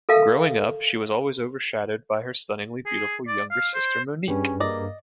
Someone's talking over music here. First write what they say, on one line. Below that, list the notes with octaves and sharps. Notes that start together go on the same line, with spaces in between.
Growing up, she was always overshadowed by her stunningly beautiful younger sister Monique.
A4 A#4 E5 F5 A5
G#4
D5
F5
C5
G2 C#4 G4 G#4 B4
A#3 D5 D#5